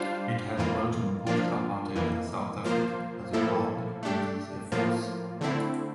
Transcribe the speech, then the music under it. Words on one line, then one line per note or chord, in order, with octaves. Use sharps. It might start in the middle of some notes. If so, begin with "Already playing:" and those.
It has welcomed post-apartheid South Africa as a partner in these efforts.
Already playing: G3 D4 F4 C5 F5
F2 E3 A#3 F4
F3 A#3 D4 F4
F2 E3 A#3
F3 A#3 F4 C5
A2 F3 A#3 E4 A4
A3 D4 G4
A2 F3 A#3 F4
D3 A3 C4 E4